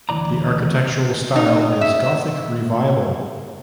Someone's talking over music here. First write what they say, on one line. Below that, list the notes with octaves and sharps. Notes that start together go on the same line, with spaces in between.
The architectural style is Gothic Revival.
D2 E3 D5 A#5
D#4
E5